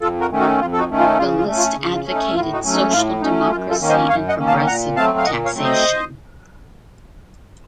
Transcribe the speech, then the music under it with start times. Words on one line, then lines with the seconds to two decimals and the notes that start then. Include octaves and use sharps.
The list advocated social democracy and progressive taxation.
0.01 F2 F4 A4
0.21 F#4 A#4
0.31 D#3 A3 C#4
0.40 D#4 F#4
0.60 F2 F4
0.73 A4
0.78 D#4 F#4
0.89 D#3 A3 C#4
0.99 F4
1.18 C#3 F4
1.38 F4
1.47 A3 C#4
1.57 F4
1.76 C#3
1.95 F4
2.05 A3 C#4
2.14 D#4
2.35 A2 F4
2.53 D#4 F#4
2.64 F#3 A3 C#4
2.74 D#4
2.93 A2 F4
3.21 F#3 A3 C#4 D#4
3.51 F#2 F4
3.70 F4 A4
3.80 D#3 A#3 C#4
3.89 C5 D#5
4.09 F#2 C#5 F5
4.29 D#5 F#5
4.38 D#3 A#3 C#4
4.47 F5 A5
4.67 A#2 F#5 A#5
4.96 F#3 A3 C4 F5 A5
5.18 F5
5.25 A#2 D#5 F#5
5.45 C#5 F5
5.54 F#3 A3 C4
5.64 C5 D#5